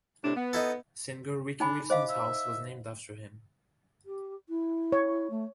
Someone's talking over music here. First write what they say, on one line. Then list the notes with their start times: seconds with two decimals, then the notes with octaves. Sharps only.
Singer Ricky Wilson's house was named after him.
0.24 A2 C3 D4
0.36 B3
0.53 D#4 E4 A4
1.60 D4 D#4 G#5 B5
1.90 C5 D#5 F5 D6
2.10 E5
4.06 G4
4.49 E4
4.92 C#5
5.30 A3